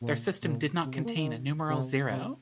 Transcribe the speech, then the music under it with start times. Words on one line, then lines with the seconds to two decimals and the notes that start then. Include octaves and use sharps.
Their system did not contain a numeral zero.
0.01 A#2
0.42 A#2
0.84 C3
0.95 C3
1.05 A#3
1.16 D#3
1.69 C3
2.10 C3